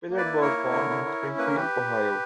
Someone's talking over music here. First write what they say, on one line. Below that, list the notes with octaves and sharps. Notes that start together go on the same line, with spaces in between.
Pillard was born in Springfield, Ohio.
A#3
B4 D5
E4
A#3 A#4 C#5
E4
D3
E4
E4
C#4
A#3 B4
A#4
E3 G4 B4